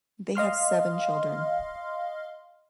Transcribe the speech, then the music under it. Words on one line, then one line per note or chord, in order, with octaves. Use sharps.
They have seven children.
D#5 F5 C6 F6